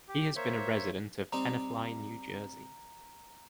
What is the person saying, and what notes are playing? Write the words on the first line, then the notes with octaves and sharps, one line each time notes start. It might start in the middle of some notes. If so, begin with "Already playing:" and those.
He has been a resident of Tenafly, New Jersey.
G4
A#3 C5 C#5 E5
G3 C4 D#4 A#5